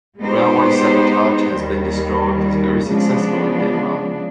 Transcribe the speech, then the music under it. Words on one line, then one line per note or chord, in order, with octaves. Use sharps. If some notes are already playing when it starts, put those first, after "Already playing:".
Railway sabotage has been described as very successful in Denmark.
G#3 B3 D#4 G4 C5
D#2 D#3 G3
C#3 F3 G#3 B3 D4